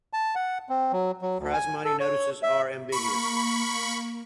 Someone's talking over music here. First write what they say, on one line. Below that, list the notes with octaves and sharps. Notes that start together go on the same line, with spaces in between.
Prize money notices are ambiguous.
A5
F#5
C4
F#3
F#3
D2
G#5
A4
C#5
E5
A#3 A#4 B5 C#6